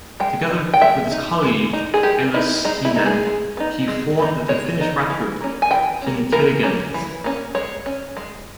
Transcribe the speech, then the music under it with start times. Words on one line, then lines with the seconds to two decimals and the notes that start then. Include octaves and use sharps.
Together with his colleague Elastinen, he formed the Finnish rap band Fintelligens.
0.20 G#3 G5
0.51 D#4
0.74 G5
0.81 G#3 E5
1.12 D#4
1.43 G#3
1.73 D#4
1.94 G#4
2.03 G#3 G4
2.34 D#4 E4
2.65 G#3 D#4
2.85 E4
2.96 B3 D#4
3.06 G#4
3.26 G#3
3.57 B3 D#4
3.88 G#3
4.18 B3 D#4
4.48 G#3 C#5
4.79 B3 D#4
5.10 E3
5.41 A#3 C#4
5.62 G#5
5.71 E3 G5
6.02 A#3 C#4
6.32 E3 A#4
6.63 A#3 C#4
6.94 E3
7.24 A#3 C#4
7.55 G#3 C#5
7.86 C#4
8.17 G#3